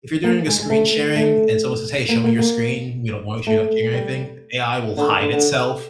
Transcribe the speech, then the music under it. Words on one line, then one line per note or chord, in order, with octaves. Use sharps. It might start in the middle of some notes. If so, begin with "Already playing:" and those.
if you're doing a screen sharing and someone says, "Hey, show me your screen," and, you don't want to so you don't share anything, the AI will hide itself,
A#3
G#3
G#3
A3
A3
A#3
A#3
A#3
A3
G3
D3
D#3
D3
D3